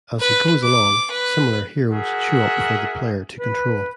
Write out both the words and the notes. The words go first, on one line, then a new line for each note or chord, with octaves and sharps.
As he goes along, similar heroes show up for the player to control.
B4
D6
B4
F#4 G#4 A#4 E5 F#5
B4